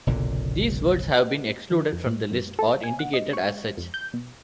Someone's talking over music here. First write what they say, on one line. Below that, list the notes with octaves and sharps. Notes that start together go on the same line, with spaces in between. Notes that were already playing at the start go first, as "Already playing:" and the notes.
These words have been excluded from the list, or indicated as such.
F#1 B1 A#2 D3
D#3
F2
A2
F#2
A4
G#5
F#5
D#5
C#6
F2
G6
B2